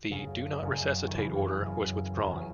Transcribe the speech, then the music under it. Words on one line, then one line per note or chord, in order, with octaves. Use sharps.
The "do not resuscitate" order was withdrawn.
F#2 C#3
F#2 C#3
D#3
F#2 C#3 E3
F#2 C#3
E2 C#3 F#3